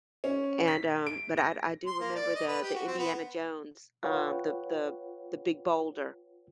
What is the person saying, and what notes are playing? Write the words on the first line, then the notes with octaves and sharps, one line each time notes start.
and, um, but I d I do remember the the Indiana Jones, um, the the the big boulder.
C#4
B6
D7
A#6
C6
A#3
D5
D#5
B4
G4
F#4
C4
B3
F4 B4 C#5 F#5 G5